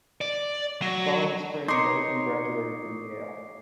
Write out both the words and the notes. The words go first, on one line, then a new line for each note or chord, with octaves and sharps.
The following spring, Milliken graduated from Yale.
D5
F#3
D#4 A#4 C#5 C6 D6 C7